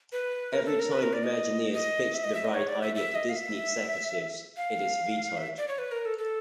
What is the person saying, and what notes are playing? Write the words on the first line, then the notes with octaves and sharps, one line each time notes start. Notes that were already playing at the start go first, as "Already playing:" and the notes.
Every time Imagineers pitch the ride idea to Disney executives, it is vetoed.
B4
A#4
A4
A#4
B4
A#4
D5
D#5
D#5
E5
D#5
E5
D#5
C#5
D5
E5
E5
D#5
F5
E5
F5
E5
D5
C#5
B4
A#4
A4
A4